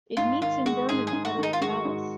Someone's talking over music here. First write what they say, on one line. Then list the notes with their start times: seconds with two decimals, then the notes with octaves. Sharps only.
It meets in Bern in the Federal Palace.
0.17 G#2 F4
0.41 D#3 F4
0.65 G#3 F#4
0.89 G#2 G#4
1.07 G#4
1.13 G#2
1.25 F#4
1.38 D#3
1.43 D#4
1.53 F4
1.61 G#3 F#4
1.85 G#2